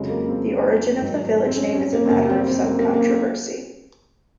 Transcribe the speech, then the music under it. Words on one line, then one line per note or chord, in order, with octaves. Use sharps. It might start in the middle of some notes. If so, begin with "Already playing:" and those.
The origin of the village name is a matter of some controversy.
Already playing: F2 C#3 F#3 G#3
A#3
C4
G#2 D#3 F#3
C4
C#4
C#4
A#3
C4
F#2 C#3 F#3 A#3
C4
C4
A#3
A#3
A#3
C4